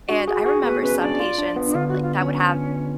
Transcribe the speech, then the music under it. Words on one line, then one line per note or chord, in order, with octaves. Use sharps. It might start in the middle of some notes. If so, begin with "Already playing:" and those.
and I remember some patients, like, that would have
D4 F#4
F#4 G#4
F#4 G#4
B3 B4
C#4 B4
D4 D5
F4
D4
B3
D4
D3 F4
F#4
F4
C#4